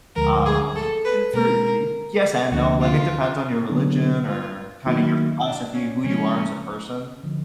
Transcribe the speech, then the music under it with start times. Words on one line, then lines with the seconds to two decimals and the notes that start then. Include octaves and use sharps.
um, and for y yes and no, like it depends on your religion or kinda your philosophy, who you are as a person.
0.15 D2 D3 F3 G#3 A#4
0.45 G#4
0.75 A4
1.05 B4
1.33 B2 G#3 C4 A#4
2.51 D2 D3 F3 A#3 D4 F#4
2.81 F4
3.69 D3 F#3 B3 D4
4.27 F4
4.86 D#3 F#3 A#3 D#4 E4 F#4
5.46 D4
5.74 C#4
6.04 C#3 F3 G#3 C#4
7.23 D3 F3